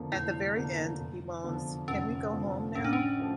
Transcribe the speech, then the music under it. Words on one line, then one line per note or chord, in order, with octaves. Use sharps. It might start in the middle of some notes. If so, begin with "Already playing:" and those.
At the very end, he moans Can we go home now?
Already playing: F1 E2 D3 F3 A#3
F1 E4
E2 D3 F3 A#3
F1
E2 D3 F3
F1 C#4
E2 D3 F3
A1 C#4
D4
C#4
F3 A3